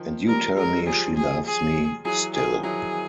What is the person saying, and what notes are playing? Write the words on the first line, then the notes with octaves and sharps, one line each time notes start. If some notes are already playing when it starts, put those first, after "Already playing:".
And you tell me she loves me still!
Already playing: D#3 F3
F3 G3 A#4
F#3 G#3 A#4
F3 G3 G#4
G#4
G#4
E3 F#3 G#4
D#3 F3 G#4
E3 F#3 G#4